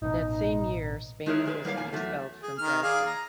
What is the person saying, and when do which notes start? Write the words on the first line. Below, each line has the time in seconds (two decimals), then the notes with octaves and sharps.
That same year Spener was expelled from Dresden.
0.02 A1 B2 D#4
1.26 G#3 D#4 E4 G#4 A#4 C#5
1.45 D#3 G#3 G#4 B4
1.65 G3 A#3 C#5 F5
1.77 E2 A#2 G#5
1.92 E2 F#3 A3
2.43 G#4
2.58 D#3 F6
2.83 G#4 D5 F5
3.06 A#5